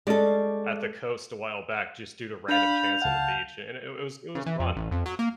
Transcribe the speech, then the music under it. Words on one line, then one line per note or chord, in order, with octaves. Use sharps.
at the coast a while back just due to random chance on the beach, and i i it it was it was fun.
G3 G#3 C#4 A4 D5
D4 F5 B5 G6 F7
C#2 F5 F#5 A5
C#3
E3
F2
A1
F2
F#3
A#3